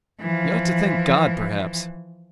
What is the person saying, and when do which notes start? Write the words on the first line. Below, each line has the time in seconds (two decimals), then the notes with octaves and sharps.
You ought to thank God, perhaps.
0.21 E3 F3